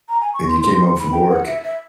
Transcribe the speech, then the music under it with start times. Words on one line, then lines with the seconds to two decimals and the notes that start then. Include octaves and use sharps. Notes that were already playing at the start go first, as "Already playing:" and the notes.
and you came home from work,
0.09 A#5
0.21 G#5
0.34 C#6
0.47 C6
0.60 C6
0.74 C6
0.86 C6
0.99 B5
1.12 G5
1.30 F#5
1.46 E5
1.64 E5